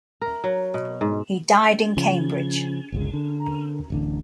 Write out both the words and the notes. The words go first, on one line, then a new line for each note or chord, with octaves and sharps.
He died in Cambridge.
A#4
F#3
B2
G#2
C#3 F3
G1 C#2 G#3
D3
D1 A1 D3